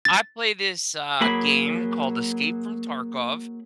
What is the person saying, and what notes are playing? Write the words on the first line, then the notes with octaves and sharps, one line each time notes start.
I play this, uh, game called Escape from Tarkov.
A6
F#3 A#3 G#4 B5